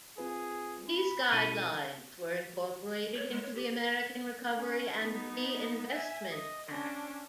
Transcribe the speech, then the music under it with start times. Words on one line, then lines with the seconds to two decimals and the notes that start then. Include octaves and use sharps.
These guidelines were incorporated into the American Recovery and Reinvestment Act.
0.18 C4 F4 G#4 B4
0.88 B5
1.32 B2 C#4 E4 D#7
3.16 C#5
3.31 G#3
3.43 C#5
3.55 G4
4.57 C#4
5.00 B3 D#4
5.90 E5 G#5
6.30 D#5
6.70 C#4 D4